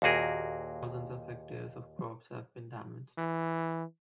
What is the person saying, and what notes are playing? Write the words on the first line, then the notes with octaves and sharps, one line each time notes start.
Thousands of hectares of crops have been damaged.
D#2 A#2 F#4 G#4 A#4
E3